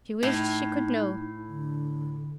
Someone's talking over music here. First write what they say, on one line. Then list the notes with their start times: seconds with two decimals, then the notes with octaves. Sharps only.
She wished she could know.
0.23 A2 D#4
1.48 D3